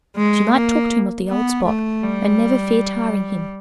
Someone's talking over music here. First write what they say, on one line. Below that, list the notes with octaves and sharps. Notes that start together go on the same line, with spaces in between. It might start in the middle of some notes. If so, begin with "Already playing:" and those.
She might talk to him of the old spot, and never fear tiring him.
G#3
A#3
B3
A3
G3